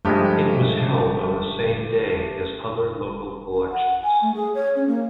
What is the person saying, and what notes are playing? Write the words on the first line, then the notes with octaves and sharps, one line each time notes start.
It was held on the same day as other local elections.
G2 F3 G#3 A3 G4
F#5
G#5
A3
G#4
C#5
C#4
A#3